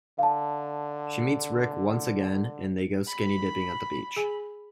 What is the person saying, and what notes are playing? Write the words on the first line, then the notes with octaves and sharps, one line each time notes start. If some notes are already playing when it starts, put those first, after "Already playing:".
She meets Ric once again and they go skinny dipping at the beach.
D3 F5 A5
B5
G#4 G#5